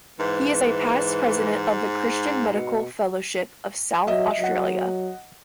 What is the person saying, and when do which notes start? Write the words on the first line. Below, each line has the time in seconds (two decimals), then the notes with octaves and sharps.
He is a past president of the Christian Medical Fellowship of South Australia.
0.20 G#2 E3
2.52 B2
4.07 F#3 D#5 E5
4.39 F#3 D#5 F#5